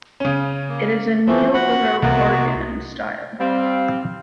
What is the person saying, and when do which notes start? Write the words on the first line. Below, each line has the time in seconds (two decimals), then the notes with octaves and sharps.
It is a neo-baroque organ in style.
0.20 C#3 C#4
0.68 A#3
1.27 E3 F3 A3 C4
1.54 F#4 F#5 B5
2.02 C2 A#3 B3 F#4
3.40 G3 C4 F5